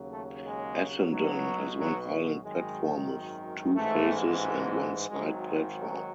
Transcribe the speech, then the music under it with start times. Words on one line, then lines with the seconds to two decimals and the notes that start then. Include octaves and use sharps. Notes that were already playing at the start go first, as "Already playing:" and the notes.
Essendon has one island platform with two faces and one side platform.
Already playing: D#2 C#3 F#3
0.11 A3
0.44 G#3
1.10 B1 B2 F#3
1.77 F#3
2.43 G#1 F#2 D#3 F#3 G#3
3.75 A1 G#2 E3 A3
5.08 G#1 G#2 D#3 F#3 G#3
5.74 F#3